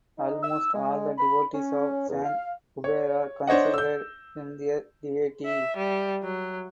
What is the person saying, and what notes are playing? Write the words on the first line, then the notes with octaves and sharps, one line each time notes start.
Almost all the devotees of Sant Kubera considered him their deity.
D#4
E6
G#3
B5
C#4
E2
F5
C#5
D4 C5 C#5 D#5 F#5
E6 G6
E5
G3
F#3